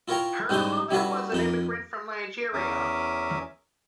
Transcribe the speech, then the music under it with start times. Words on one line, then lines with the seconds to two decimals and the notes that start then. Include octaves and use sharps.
Her mother was an immigrant from Nigeria.
0.08 E4 F4 A#4 C#5 G5 A#5
0.49 G#2 G3 C#4 D#4 E4 C6
0.91 G3 C#4 E4 F#4 A4 B4
1.32 F2 D#4 B5
2.53 E2 C#4 A#4 E5 D6 D#6